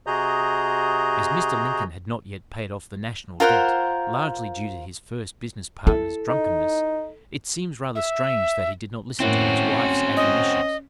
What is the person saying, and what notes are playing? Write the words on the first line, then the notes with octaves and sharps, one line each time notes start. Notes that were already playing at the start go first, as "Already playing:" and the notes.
As Mr. Lincoln had not yet paid off "the national debt" largely due to his first business partner's drunkenness, it seems rather strange that he did not listen to his wife's admonitions.
C3 F#4 G#4 D#5 A#5 G6
F4 A#4 C5 F#5
E4 A4
D#4
E5
A2 A#3 C4 C#4 E4 F#4
D#5